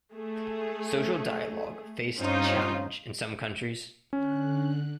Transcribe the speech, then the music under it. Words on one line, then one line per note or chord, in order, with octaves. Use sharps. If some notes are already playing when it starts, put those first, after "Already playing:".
Social dialogue faced challenge in some countries.
A3 G#4
G2 C4 C#4 D#4 F4 C5
D3 C#4 F#6